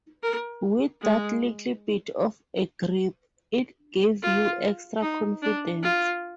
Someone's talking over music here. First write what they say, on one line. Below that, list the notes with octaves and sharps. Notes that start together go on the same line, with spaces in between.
With that little bit of a grip, it gave you extra confidence.
A#4
G#3
F4
D#4
D4
F4